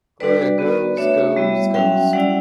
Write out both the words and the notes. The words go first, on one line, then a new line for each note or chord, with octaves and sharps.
Gloria goes, goes, goes.
G3 D4 F#4 B4 D5
B3 F#4
A3 D4 F#4 C#5 E5
G3 B3 E4
F#3 C#4 F#4 E5 G5
G3 C#4 E4 D5 F#5